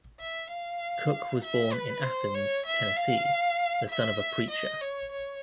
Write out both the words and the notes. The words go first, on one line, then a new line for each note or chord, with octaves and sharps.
Cook was born in Athens, Tennessee, the son of a preacher.
E5
F5
E5
B4
C5
C#5
E5
F5
E5
D#5
C#5
C#5